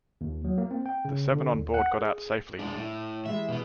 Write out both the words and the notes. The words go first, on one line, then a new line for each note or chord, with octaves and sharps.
The seven on board got out safely.
D#2
F#3
A#3
C4
G5
C#3
D3
D#2
F#5
G#4
G#3 D4
A2
E3 G3 G#3 E5
B2 B3